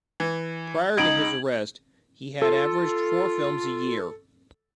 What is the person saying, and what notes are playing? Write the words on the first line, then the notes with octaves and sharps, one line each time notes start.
Prior to his arrest, he had averaged four films a year.
E3
C#2 D#4 G#6 D7 F#7
F4 A4